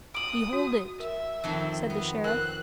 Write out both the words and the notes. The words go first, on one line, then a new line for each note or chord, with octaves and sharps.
"Behold it," said the sheriff.
D#6 D7 F#7
F#4
A#4 E5
F2 D#3 C4
B3
C4 A#4 F#6